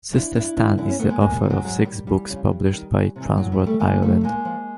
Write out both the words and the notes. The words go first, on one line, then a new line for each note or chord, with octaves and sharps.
Sister Stan is the author of six books published by Transworld Ireland.
F3 D4 E4
G2 D4 E4
E3 D4 E4
F#2 D4 E4
B3 C#4
D#3 A3 B3
G#3 A#3
E2 G#3 A#3
G3
C3 D#3
F#3 G#3
G#2 F#3 G#3
D#3 G3
E2 G3
C#3 F3
G2
D#3
E2
C3 E3
A#2 F#3
G3
F3
G3 A3
A#2 G#3 A#3
F3 G3 A3
A#2 G#3 A#3
F3